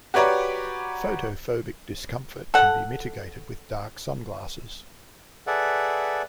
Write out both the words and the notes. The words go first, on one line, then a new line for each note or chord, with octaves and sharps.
Photophobic discomfort can be mitigated with dark sunglasses.
F#4 G4 B4 C#5 D5 A#5
A4 F#5
G#4 A4 B4 D5 E5 F#5